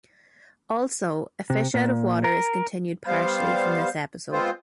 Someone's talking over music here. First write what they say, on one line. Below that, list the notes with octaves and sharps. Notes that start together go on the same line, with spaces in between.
Also "A Fish out of Water" is continued partially from this episode.
C3
A#2
A#4
G3 B3 C5 F5
G#3 B3 C4 F4 C5